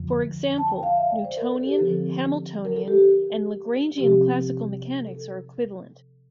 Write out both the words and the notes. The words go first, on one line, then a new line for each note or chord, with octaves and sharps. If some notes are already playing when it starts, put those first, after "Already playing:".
For example, Newtonian, Hamiltonian and Lagrangian classical mechanics are equivalent.
Already playing: F2 D3 F3
A5
G5
F5
E5
D5
C5
A#4
A4
G4
D3 F3 C4 A4
A#4
A4
G4
C3 F3 C4 G4
A4